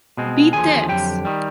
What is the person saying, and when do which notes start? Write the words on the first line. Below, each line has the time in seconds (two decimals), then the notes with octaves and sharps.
Beat This!
0.17 B2 G#3 C4
0.53 D#2 D3 F3 G#4 G#5
0.89 F2 D3 F#3 G4 G5
1.25 D#3 G3